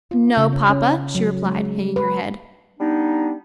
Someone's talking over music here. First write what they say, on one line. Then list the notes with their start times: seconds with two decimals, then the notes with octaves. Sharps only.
"No, papa," she replied, hanging her head.
0.11 F4
0.37 C#3
0.53 C#4
0.70 C#4
0.96 C#4
1.15 F#3
1.46 G#3
1.96 B4
2.80 G3 B3 D4 D#4